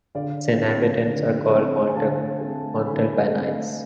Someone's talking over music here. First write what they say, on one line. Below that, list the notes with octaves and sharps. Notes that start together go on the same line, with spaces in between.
Its inhabitants are called "Montalbanais".
D3 D5 F5
A3 C4
D3
A3 C4
G#5
D3 F5 A5
A3 C4
D3 G#5 B5
E5 G#5
A3 C4
D5 F5